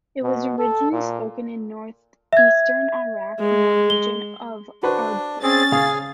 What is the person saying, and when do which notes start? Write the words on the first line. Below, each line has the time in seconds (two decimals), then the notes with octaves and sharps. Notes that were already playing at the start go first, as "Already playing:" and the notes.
It was originally spoken in northeastern Iraq, in the region of Arbil.
0.22 B2
0.59 A4
0.92 A#2
2.33 E5 G#6
3.40 G#3
3.90 G7
4.83 D4 F#4 B4 C5
5.43 C4 C#4 G#4 A6
5.72 C#3 G#4 F5